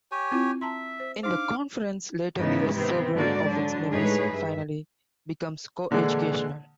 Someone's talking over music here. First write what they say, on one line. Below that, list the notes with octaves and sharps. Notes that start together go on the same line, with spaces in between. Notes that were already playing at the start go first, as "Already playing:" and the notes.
In the conference's later years, several of its members finally became co-educational.
G4 C#5 G#5
C4 E4 F4
E5 A5 A#5 C6
C5
D4 D#4 C5 F5 D6
G#2 C#3 E3 B3 D#4 E4
C3 D#3 B3 C4
G#2 D3 A#3 F#4 D5
D3 F#3 D4
A2 G#3 D#4 G#4 B4 C#5
G2 E5
A#2 D3 E3 G#3 D4